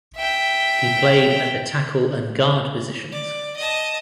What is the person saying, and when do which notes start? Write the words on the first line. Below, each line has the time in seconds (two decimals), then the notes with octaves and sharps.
He played at the tackle and guard positions.
0.17 E5 G5
3.12 D5
3.57 D#5 A5